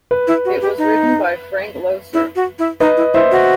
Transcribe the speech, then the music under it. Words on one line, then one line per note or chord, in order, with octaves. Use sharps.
It was written by Frank Loesser.
B4
E4
F#4
G4
D#4
E4
F#4
E4
D#4 B4 D#5
E4
E4 C5 E5
F#4